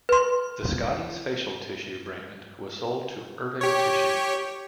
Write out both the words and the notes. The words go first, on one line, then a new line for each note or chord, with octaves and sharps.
The "Scotties" facial tissue brand was sold to Irving Tissue.
B4 C6
G4 C#5